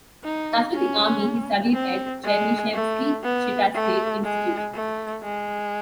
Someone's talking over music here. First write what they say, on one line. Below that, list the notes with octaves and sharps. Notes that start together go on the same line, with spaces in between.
After the army he studied at Chernyshevsky Chita State Institute.
D#4
C#4
C4
G#3
A3
B3
A3
G#3
A3
G#3